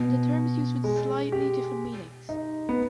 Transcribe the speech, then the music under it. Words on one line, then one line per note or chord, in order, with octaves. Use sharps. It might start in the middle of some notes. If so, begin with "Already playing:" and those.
The term is used with slightly different meanings.
Already playing: B2
G#3
G4
D#4
B3